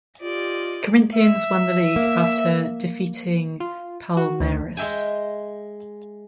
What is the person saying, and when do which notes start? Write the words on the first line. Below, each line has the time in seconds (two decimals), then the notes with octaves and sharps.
Corinthians won the league after defeating Palmeiras.
0.21 F4 G4 D5 D#5
1.14 E5
1.96 A#3
3.60 F4
4.17 F#4
4.40 D2
4.77 G#3 D#5 E5 G5 G#5